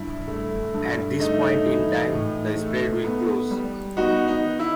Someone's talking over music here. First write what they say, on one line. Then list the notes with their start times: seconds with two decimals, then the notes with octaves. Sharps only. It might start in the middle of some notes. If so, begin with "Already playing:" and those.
At this point in time, the spread will close.
Already playing: G2 E4
0.27 A3
0.74 G2
1.20 A3 D#4
1.66 E3
2.12 A2
2.59 A3
3.04 B3
3.51 G3
3.97 B3 D#4 F#4
4.28 D#4
4.43 D#3
4.59 E4